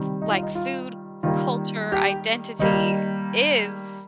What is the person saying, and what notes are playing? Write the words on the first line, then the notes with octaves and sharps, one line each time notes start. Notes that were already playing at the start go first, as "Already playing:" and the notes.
T Like, food, culture, identity is
Already playing: C3 D#3 G3
D#4
F4
D#4
F4
D#3 G3 A#3 F4
G4
D#3 G3 A#3 D#4